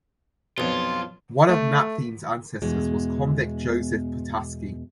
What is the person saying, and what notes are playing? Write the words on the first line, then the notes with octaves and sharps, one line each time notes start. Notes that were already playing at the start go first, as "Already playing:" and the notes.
One of Napthine's ancestors was convict Joseph Potaski.
B1 F2 F4
A3
E2 B2 G#3